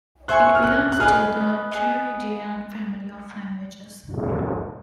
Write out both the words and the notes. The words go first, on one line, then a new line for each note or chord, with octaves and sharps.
It belongs to the Dravidian family of languages.
C5 E5 G#5 C#6 F#6
F6
F#6
F#6
G#4 B4 D#5 F6
G#4 B4 D#5